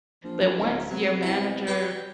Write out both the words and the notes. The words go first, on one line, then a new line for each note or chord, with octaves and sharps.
but once your manager
A#1 F3
D1 D2 A#4
C3 F#3 B3
G3 E4 A5
G3 G4 B4 D6